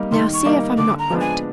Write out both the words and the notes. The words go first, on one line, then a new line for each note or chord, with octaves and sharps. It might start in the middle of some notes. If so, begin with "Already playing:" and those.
Now see if I'm not right.
Already playing: G3 A#3 D#4
D#3 C6
C#6
G3 A#3 D#4
D3 D6
A#5
F3 G#3 B3 D4
G#5